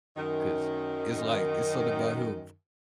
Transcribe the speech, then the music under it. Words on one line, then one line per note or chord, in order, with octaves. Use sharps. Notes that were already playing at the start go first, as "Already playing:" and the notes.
'cause it's, like, it's something about him p
F#2 D#3